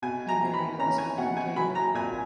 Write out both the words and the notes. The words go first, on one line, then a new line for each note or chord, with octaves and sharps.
He married Elizabeth Kincaid.
B2 G#5
A#5
B2
B5
C#4 A#5
G#5
B2 F#5
G#5
F#3 B5
A#5
A#2 G#5